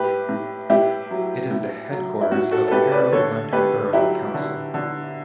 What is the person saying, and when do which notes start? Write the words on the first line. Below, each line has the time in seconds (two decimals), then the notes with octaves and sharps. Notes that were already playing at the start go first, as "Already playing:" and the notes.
It is the headquarters of Harrow London Borough Council.
Already playing: A2 G4 B4
0.29 A2
0.70 A2 E4 G4
1.11 F#3
1.51 A2
1.91 F#3
2.21 E4
2.32 A2 F#4
2.51 F#4 A4
2.68 A4
2.72 A2 G4 B4
2.92 B4 D5
3.12 D3 A4 C#5
3.53 A3 G4 B4
3.93 F#3 E4 G4
4.34 D3
4.74 D3